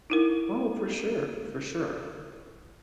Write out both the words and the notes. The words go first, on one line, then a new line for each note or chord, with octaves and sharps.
Oh, for sure, for sure.
D#4 E4 A#4